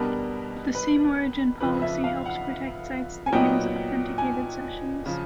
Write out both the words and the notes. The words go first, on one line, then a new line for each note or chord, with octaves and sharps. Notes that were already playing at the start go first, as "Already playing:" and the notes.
The same-origin policy helps protect sites that use authenticated sessions.
Already playing: B2 G3 B3 D4 A#4
B4
F2 C#3 F3 B4
E5
F5
F#5
G#5
A#2 F#3 B3 D#4 G5
G#5
C#3 F3